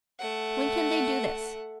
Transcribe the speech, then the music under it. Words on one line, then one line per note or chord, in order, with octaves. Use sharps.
When can they do this?'
A3 F#5